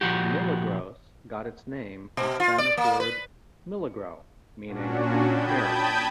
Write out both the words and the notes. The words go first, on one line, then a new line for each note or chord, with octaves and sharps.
Milagros got its name from Spanish word "Milagro" meaning miracle.
A#2 F3 F#4 G4
B2
F4
D5
A#3
B4
A#2 C#4 D4 F#4
G5 A5 B5 D#6 G6 G#6